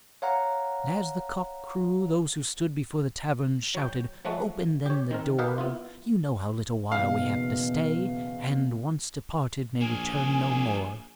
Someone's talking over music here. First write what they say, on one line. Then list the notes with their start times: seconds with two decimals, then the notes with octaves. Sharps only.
And, as the Cock crew, those who stood before The Tavern shouted--"Open then the Door. You know how little while we have to stay, And, once departed, may return no more."
0.22 C#5 F5 F#5 A#5
3.75 F#3 C#5 G5
4.25 F3 F#3 G#3 A3 F#4
4.86 G4 C#5
5.11 D#3 C4 A#4
5.39 G4 A#4 B4 D#5 F5 F#5
5.58 B3 E4 F4
6.92 F#1 B1 E2 B2 F5
9.81 A#1 A#3 G#4 G#5